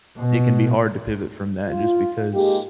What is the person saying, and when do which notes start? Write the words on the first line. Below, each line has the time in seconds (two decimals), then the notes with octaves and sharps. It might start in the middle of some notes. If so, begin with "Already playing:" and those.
It can be hard to pivot from that just because,
0.18 B2
1.68 F4
2.34 G#3 A#3 D#4 G4